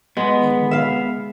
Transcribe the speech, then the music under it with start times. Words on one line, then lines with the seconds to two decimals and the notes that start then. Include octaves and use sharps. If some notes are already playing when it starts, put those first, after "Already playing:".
Yet more.
0.17 G#3 B3
0.71 E5 F5